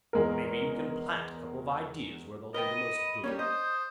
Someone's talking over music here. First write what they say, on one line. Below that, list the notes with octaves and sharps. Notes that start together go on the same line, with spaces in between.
Maybe you can plant a couple of ideas where they'll do the most good.
E2 G#3 A#4
A#4 B4 D#5 G5 B5 G7
D#7
G3 A#3 C#4
C5 D#5 D#6 G6